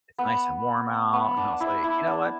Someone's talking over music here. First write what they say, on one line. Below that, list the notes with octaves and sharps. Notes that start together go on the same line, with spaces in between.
it's nice and warm out, and I was like, "you know what,
B3
B3
D4
E4
E4
D4